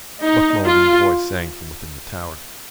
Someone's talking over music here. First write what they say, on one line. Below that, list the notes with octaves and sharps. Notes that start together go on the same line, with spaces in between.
Buck Mulligan's voice sang from within the tower.
D#4
F4